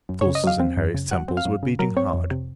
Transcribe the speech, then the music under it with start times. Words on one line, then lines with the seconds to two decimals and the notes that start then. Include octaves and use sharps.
The pulses in Harry's temples were beating hard.
0.09 F#2
0.21 C#5
0.26 C#3
0.35 D#5
0.44 F#3 F5
0.60 C4
0.77 F#2
0.95 C#3
1.11 F#3 F#5
1.28 C4
1.37 F5
1.45 F#2
1.63 C#3
1.79 F#3 A#4
1.97 C4 C#5
2.13 F2
2.31 C3